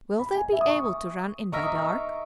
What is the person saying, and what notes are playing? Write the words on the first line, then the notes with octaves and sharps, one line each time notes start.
"Will they be able to run in by dark?"
B5
G#5
E5
D#6
C#6
D#6
D#4 A#4 E5 A#5 C#6
D#6
C#6